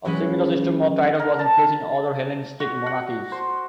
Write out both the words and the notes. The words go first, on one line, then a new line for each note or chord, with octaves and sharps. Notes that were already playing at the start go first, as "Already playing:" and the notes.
A similar system of titles was in place in other Hellenistic monarchies.
E3 F#3 G#3 C#4 B4
A#4
A5
F#4
F#5
C5